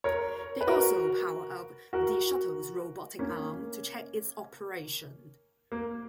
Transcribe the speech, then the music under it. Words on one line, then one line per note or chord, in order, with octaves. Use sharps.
They also powered up the shuttle's robotic arm to check its operation.
A#4 C#5
B4
F#4 A#4
F#4 A#4
A#3 C#4
A#3